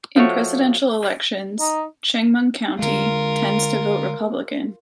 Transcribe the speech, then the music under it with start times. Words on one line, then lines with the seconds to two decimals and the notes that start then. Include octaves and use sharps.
In presidential elections Chemung County tends to vote Republican.
0.16 F3 A3 F#4 C#5
1.60 D#4
2.79 D3 G#3 F4 A#4